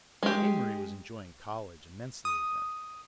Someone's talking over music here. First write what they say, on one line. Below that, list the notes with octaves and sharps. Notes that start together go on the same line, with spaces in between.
Amory was enjoying college immensely again.
G#3 G4
D#6